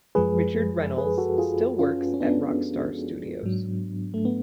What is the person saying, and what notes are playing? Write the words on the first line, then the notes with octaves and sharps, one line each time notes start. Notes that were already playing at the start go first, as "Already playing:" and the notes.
Richard Reynolds still works at Rockstar Studios.
F#2 F3 G#3 G#4 B4
G#4 B4
F#4 A4
F4 G#4
C#4 F4
C#4
B3 D4
G#2 F#3
A3
B3